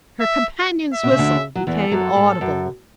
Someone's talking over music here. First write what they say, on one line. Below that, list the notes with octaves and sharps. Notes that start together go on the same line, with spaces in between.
Her companion's whistle became audible.
E5
E5
B2
C#3
D2 D3
F#3
E2 E3 A4
F#2 F#3
G#2
F#2